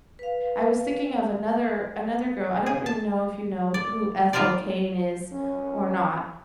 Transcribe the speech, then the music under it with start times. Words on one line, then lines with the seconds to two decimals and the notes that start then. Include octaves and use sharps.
I was thinking of another another girl, I don't even know if you know who Ethel Cain is or not,
0.19 B4 F5
2.66 G#4
2.86 A5
3.74 D5
4.33 D#3 B3 F4 A#4 C5 D5
5.32 C#4